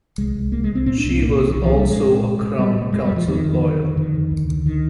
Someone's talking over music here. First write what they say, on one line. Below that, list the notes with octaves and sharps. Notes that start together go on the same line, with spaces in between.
She was also a Crown Counsel lawyer.
C2 G#3
C2
C2 A#3
G#3
C2
C4
A#2 C4
D4
C2
C4
A#2 A#3
C2
D#3
C2
F3
A#2 G3
A#2 G#3
A#2
A#2
A#2
A#2 G3
A#2 A#3
F2 G#3
G3
F2
F3
F2 D#3
F2
D3
F2
F2 D#3
D3
D2
D3
D3 D#3